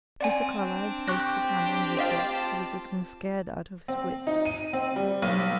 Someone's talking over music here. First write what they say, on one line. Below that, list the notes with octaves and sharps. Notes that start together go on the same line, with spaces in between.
Mr. Carlyle placed his hand on Richard, who was looking scared out of his wits.
C4 D5 F#5 G#5
D4
G4 C#6 F#6 A#6
D4
F4 C5 D#5 F5 A5
C4
D#4
D#7
C4
G3
B1